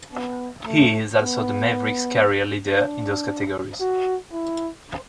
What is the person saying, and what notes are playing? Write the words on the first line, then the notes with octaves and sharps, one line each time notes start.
He is also the Mavericks' career leader in those categories.
B3
A3
B3
D4
F#4
E4